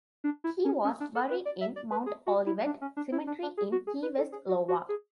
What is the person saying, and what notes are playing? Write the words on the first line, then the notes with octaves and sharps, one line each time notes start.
He was buried in Mount Olivet Cemetery in Key West, Iowa.
D4
E4
C#4
C#4
D4
A4
B4
D5
E5
D5
B4
G#4
F#4
E4
D4
C#4
D4
E4
D4
D4
G#4
F#4
G#4
B4
A4
G#4
F#4
F#4
G#4